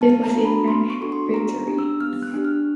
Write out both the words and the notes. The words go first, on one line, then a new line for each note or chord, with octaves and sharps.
It was a French victory.
B3 A5
A#5
D4 F#4 A4
B5
B3 C6
C#6
D4 F#4 A4 C#6
C6
B3 A#5
D4 G4
E6
B3 F6
F#6
D4 G4
F6